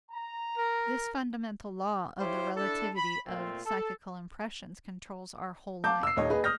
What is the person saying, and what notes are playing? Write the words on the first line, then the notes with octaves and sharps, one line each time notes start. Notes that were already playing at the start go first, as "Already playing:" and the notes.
This fundamental law of the relativity of psychical impressions controls our whole life.
A#5
A#4
E4 F4 G4 C5 C#5
D4 E4 A4
B5
A#2 A3 C4 F4
A4
F5 A5 D6 G6
E6 C7
D#1 D#2 C#5 D#5
G#4 B4 D#5
D#6 F6 G6 A#6